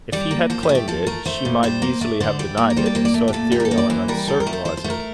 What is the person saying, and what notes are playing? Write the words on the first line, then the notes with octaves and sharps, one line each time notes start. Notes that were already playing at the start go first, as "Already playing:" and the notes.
If he had claimed it, she might easily have denied it, so ethereal and uncertain was it.
G3 D5
A#3
F3 C5
G4
A3
G4
F3 A4
A3 A#4
A3 C5
A#2
G3 C5
A#3
A3 D5
D3 C5
G3 D5
A#3
A#4
G3 C5
D5
A#3 C5
D5
A3
G4
A#2 A4
G3 G4
A#4
A4
A#3
D5
E3 C5
G3 A#4
F3 A4
A#4
A3
C5
F3 C5
C5
A3
A#4